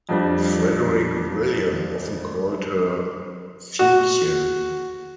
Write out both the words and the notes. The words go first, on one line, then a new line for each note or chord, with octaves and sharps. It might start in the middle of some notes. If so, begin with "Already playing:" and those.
Frederick William often called her "Fiekchen".
F2 F3 G3 D4
F#4